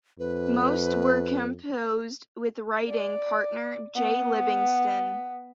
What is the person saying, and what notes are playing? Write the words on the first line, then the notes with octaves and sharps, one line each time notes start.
Most were composed with writing partner Jay Livingston.
F2 B4
D5
B3